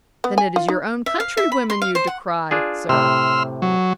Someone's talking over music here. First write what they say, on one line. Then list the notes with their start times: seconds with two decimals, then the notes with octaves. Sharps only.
"Then it is your own countrywomen you decry, sir!"
0.24 B3
0.38 G#5
0.56 F4
0.68 D#4
1.06 E5
1.20 F5
1.37 E5
1.52 B5
1.70 C6
1.82 F5
1.95 C5
2.07 F#5
2.51 D4 F4 G#4
2.89 A2 C3 C6 E6 F6
3.62 F#3